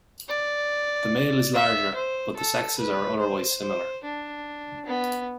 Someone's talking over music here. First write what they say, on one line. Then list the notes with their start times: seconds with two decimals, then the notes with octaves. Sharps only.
The male is larger, but the sexes are otherwise similar.
0.29 D5
1.54 E5
1.95 C5
2.37 A4
2.78 B4
3.20 C5
3.61 C5
4.04 D4
4.86 B3